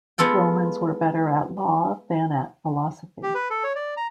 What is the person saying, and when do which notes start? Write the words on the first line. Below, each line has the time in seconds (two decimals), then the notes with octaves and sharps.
Romans were better at law than at philosophy.
0.18 G#3 B3 F4 A4 G5
3.23 G4
3.35 B4
3.50 A4
3.64 C#5
3.76 D5
3.97 A#5